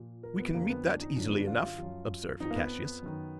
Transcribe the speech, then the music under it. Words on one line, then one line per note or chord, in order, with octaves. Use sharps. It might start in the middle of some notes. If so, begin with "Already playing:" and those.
"We can meet that easily enough," observed Cassius.
Already playing: A#2 F3
A#4
B3
F2 D3 F3 A#3
B3
D4
D#4
F#2 D3 F3 D4
B3
D4
F4
F4
F#2 F3
F2 F3 D#4
A#3
B3
F#2 D#3